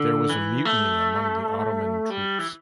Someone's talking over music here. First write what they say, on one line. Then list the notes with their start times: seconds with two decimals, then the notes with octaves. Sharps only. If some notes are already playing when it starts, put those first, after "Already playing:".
There was a mutiny among the Ottoman troops.
Already playing: D3
0.29 E3
0.65 A3
2.10 G3
2.39 E3